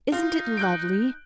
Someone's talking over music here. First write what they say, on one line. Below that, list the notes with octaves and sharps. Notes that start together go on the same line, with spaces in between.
Isn't it lovely?
D#4 F4
F#6 G6 D7